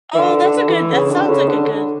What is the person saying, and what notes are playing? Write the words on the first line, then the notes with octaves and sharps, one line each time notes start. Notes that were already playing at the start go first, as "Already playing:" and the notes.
Oh, that's a good that sounds like a good
E3
D3
D3
E3
C#3
D3
C#3
D3
D3